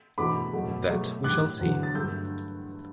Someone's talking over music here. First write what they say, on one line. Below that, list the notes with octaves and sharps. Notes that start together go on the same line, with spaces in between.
That we shall see.
E2 B2 A3 B5 D6
B2 F#3 A3
B2 F#3 A3
A2 E3 G3 D6 F#6
E2 D3 F#3 A3
A6
G2 F#3 A3 E6 G6